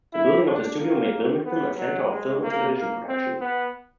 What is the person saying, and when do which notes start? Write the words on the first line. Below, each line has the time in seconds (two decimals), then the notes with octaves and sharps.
The building of the studio made Wilmington a center of film and television production.
0.13 E4
0.46 D4
0.79 A#3
1.45 B3
1.77 F#3
2.10 G#3
2.43 A#3
2.75 A#3
3.09 C4
3.41 B3